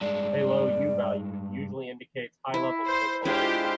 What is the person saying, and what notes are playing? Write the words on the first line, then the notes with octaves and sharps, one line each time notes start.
A low U-value usually indicates high levels of insulation.
G2 G#3 D5
E4
C5
G#3 D4 E4 F4 G4 C5